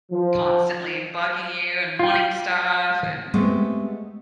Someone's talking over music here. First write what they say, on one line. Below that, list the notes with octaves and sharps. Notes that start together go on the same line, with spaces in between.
constantly bugging you and wanting stuff and
F3
F4 G5
G#3 A3 B3 C4 G4 G#4